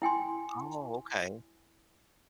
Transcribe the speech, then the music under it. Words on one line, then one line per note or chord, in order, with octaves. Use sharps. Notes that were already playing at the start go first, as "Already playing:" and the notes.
Oh, okay.
E4 G5 G#5 C6